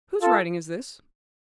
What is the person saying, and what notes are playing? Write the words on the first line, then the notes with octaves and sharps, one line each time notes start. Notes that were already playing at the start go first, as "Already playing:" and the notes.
'Whose writing is this?'
F4 A4